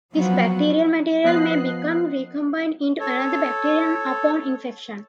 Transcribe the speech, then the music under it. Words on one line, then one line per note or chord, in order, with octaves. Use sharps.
This bacterial material may become recombined into another bacterium upon infection.
F3 F#3 B3 F#4
F3 B3 D#5 F#6 C7
A4 C#5